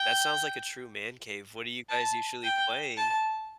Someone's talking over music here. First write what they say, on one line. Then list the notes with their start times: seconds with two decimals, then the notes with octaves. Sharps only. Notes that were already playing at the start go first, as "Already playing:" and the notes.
That sounds like a true man cave. What are you guys usually playing?
Already playing: G5
1.89 A5
2.44 G5
2.97 A5